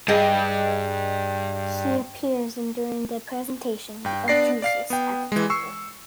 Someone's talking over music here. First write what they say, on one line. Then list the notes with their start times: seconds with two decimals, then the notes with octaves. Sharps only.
She appears in during the presentation of Jesus at the Temple.
0.08 G2 G#4 D#5 G5
4.05 G2 G5
4.28 B3 D4 D5 A#6 C7
4.62 D5 F5 C7
4.90 B3 G5
5.32 E3 G#3
5.50 C#6 E6 C7